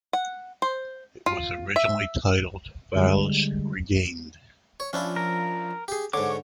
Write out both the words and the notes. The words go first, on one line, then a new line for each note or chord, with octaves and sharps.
It was originally titled, "Valis Regained".
F#5
C5
F4
E5
D3 G3 G#3
C#5
F3 C#4 D4 E4
A#4
G4 G#4
G#2 D3 C#5 D6